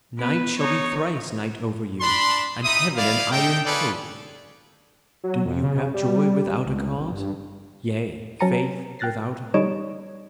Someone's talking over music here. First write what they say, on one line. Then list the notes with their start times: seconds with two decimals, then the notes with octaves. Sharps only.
"Night shall be thrice night over you, And heaven an iron cope. Do you have joy without a cause, Yea, faith without a hope?"
0.19 B3 B4
0.58 D#4 C#5
2.01 D4 B5 C6
2.63 D#4 E5 B5 D#6
2.96 E4 D5 F5
3.31 A4 D#5 E5 G5
3.65 C#4 F4 G#4 A4 B4 D5
5.24 F#3
5.46 F2
5.63 C#3
5.94 G3
6.66 C#2
6.97 G1
7.12 G2
8.39 F#3 C#4 A5 A#5 C#7 D#7
8.99 G5 F6 F#6 A6 A#6 C7
9.54 G3 D#4 C#5 D#5 D7 E7